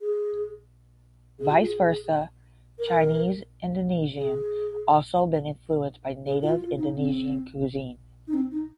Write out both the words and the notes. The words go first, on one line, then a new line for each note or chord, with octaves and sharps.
Vice versa, Chinese Indonesian also been influenced by native Indonesian cuisine.
G#4
G#4
F4
G#4
A#4
G#4
G#4
F4
F4
D#4
C4
D#4
C4
D#4